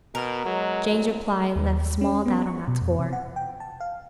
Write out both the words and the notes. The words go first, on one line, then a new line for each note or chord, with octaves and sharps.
Jane's reply left small doubt on that score.
B2 A#4
F#3 G#3
C2
D#2
C#4
B3
C#6
B2
F2
C3
F#5
G5
A5
F5